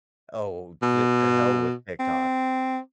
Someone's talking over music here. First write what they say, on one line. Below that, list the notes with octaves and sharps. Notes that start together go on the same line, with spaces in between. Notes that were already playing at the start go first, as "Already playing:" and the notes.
Oh, to to hell with TikTok.
B2
C4